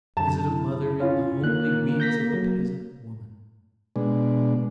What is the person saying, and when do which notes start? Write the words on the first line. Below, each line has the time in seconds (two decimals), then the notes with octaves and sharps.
Is it a mother in the homely weeds of a peasant woman?
0.17 F#2 D3 A5
0.46 E4
1.00 C#4 F4
1.43 D#3 A#3 F#6
2.00 G6 A#6 B6
2.33 F#3
3.96 B2 G#3 D4